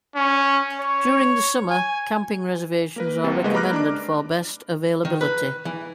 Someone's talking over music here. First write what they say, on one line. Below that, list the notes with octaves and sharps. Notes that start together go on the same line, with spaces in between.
During the summer, camping reservations are recommended for best availability.
C#4
C#5
G#5
A#3 A#4 B4
C2 C3
C#2 G#3 A#3 B4 D#5
A#5 B5 D6 F6 F#6 A#6
D4 D6
D#3
B4
E3